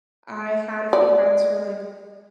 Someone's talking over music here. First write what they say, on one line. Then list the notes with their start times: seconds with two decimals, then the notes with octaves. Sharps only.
I had a few friends who were like,
0.93 D5